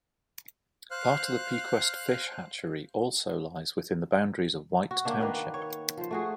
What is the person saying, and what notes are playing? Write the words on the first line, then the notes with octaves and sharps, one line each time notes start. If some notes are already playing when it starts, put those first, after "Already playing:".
Part of the Pequest Fish Hatchery also lies within the boundaries of White Township.
C5 F5 F6 F#6
F#4
A#3 D4 E5
D#3 A#3 B4
C#5
F3 C5
A3 F#4 G#4